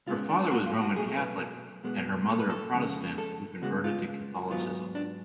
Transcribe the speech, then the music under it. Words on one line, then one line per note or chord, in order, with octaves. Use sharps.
Her father was Roman Catholic and her mother a Protestant who converted to Catholicism.
C#2 C#3 G#3 B3 F4
D4
F#4
F4
F#4
B2 F#3 A3 G#4
B4
B2 G#3 B3
A4
B4
A4
F2 C#3 G#3
A4
C#2 C#3 G#3 B3 F#4
F4
G#2 F#3 B3 F4
D4